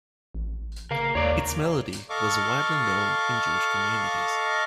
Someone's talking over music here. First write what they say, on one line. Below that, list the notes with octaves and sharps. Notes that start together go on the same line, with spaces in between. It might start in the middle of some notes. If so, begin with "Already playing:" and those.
Its melody was widely known in Jewish communities.
A1
C#3 A#4 F5
D#2 C#5 D5 A#5
A4 D#5 F5 C#6 D6